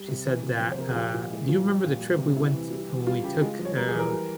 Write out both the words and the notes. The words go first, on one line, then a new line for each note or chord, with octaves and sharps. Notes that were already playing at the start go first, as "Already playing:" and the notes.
She said that, uh, "Do you remember the trip we went when we took, uh,
Already playing: G3
C3
E3
C3
F3
C5
C3 A#4
G#4
F3 G4
A#2 F4
G#3 E4
F3 F4
G3 G4
A#2 F4
G3
C3
G3 E4
E3
G3
E3
G3 F4
C#3 G4
G#3 F4
F3
C#5
G3 A#4
G#4
E3 A#4
G3